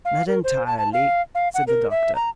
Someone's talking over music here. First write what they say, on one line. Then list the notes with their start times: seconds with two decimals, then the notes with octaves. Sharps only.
"Not entirely," said the doctor.
0.05 F5
0.28 A#4
0.44 C5
0.66 A5
0.78 A5
0.93 F5
1.35 F5
1.54 F#5
1.67 A#4
1.91 E5
2.15 A#5